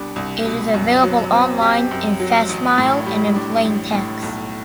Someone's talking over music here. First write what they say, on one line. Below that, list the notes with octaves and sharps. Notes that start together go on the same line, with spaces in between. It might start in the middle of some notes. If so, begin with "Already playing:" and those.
It is available online in facsimile and in plain text.
Already playing: C2 B2 G3 D4
C2
B2
F#2
F#3
C4
G4
F#2
F#3
A1
A2
G3
D4
A1
A2
B1